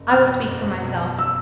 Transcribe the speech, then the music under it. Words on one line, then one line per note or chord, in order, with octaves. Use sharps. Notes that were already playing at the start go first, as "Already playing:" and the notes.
I will speak for myself.
Already playing: F#1
E2 B2 F6
F#1
E2 B2
E6